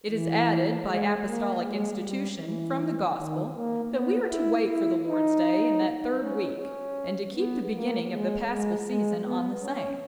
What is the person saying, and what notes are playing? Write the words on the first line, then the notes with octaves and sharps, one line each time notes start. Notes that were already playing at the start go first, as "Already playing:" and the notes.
It is added, by Apostolic institution, from the Gospel, that we are to wait for the Lord's day in that third week, and to keep the beginning of the Paschal season on the same.
E3
G#3
A#3
G#3
G3
E3
D#3
A#3
B3
E4
E4
D#4
C#4
C#4
B3
A#3
G#3
G#3
G#3
B3
C#4